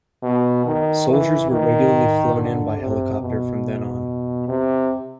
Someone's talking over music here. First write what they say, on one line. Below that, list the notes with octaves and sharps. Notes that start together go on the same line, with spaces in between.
Soldiers were regularly flown in by helicopter from then on.
B2
D#3
E3
D#3
D3
C3
B2
C3